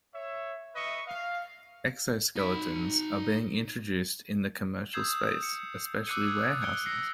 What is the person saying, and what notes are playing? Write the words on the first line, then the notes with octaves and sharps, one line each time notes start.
Exo-skeletons are being introduced in the commercial space especially warehouses.
C#5 E5
B4 D#5 E5 C#6
F5
D#4 B5
D#6 E6 G6 G#6 C7 E7
C#7
D6 E6 F#6 C7 C#7 D#7
D#6 F#6 G#6
F#6 G#6 C#7 D7 G7
E6 A#6 C7 C#7